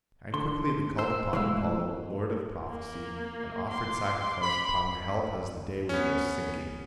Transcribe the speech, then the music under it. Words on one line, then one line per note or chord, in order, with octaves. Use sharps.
And quickly they called upon Apollo, lord of prophecy, and offered sacrifice upon the health as the day was just sinking.
D3 C6
C5 E6
B2 E3 G#3 A3 F5 E6
A#3
C6 D6
B5
B3 C#4